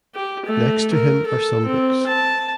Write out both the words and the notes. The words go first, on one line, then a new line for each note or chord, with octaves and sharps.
Next to him are some books.
G4
A3
A#4
A4
C4
A5